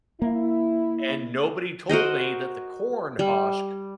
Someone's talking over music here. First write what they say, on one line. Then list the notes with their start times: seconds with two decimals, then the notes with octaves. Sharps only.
and nobody told me that the corn husk
0.22 A#3 E4
1.89 F#4 A#4 C5 D#5
3.19 G3